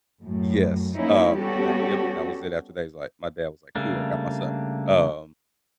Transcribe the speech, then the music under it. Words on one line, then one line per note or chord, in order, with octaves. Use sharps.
Yes, um, then that yep, and that was it after that, he's like my dad was like, "Cool, I got my son," um
F#2 A2
F3 A3 A#3 C#4 D#4 E4
G3 B3 C#4 F#4 G4 A4
C#3 G3 A3 A#3 D4